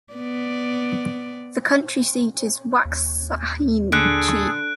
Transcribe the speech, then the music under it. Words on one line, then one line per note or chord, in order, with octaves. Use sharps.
The county seat is Waxahachie.
B3 D5
D#2
D3 G#4 A4 F#6 D7